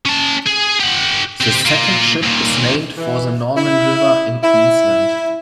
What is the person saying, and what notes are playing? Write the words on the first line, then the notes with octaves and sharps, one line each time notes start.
The second ship is named for the Norman River in Queensland.
C#4 A5
G#4
G4 F#5
C4 G4
A#3 F4
D#2 A#2
E3
E4
E4